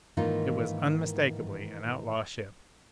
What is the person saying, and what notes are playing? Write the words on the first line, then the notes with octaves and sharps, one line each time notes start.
It was unmistakably an outlaw ship.
G#2 D#3 E3 A#3 D#4 F4